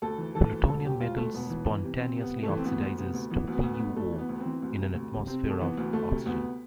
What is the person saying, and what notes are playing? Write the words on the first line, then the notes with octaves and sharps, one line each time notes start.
Plutonium metal spontaneously oxidizes to PuO in an atmosphere of oxygen.
D2 A4
E3
E3 A4
D2
E1 A4
E1 G4
D2 F4
D2 A3
E1 B3
E3
E3
C3
C3 C4
C3 B3
C3
A3
E3
C4
D2 B3
D2
C3 B3
D2
E3 B3
D2 B3
D2
B3
D2
D2 A3
E3
B3
D2
B3
C4
E3
D2
C3
D2
C3
C3 C4
C3
A3
E3 B3
D2
D2 A3
C3
D2 B3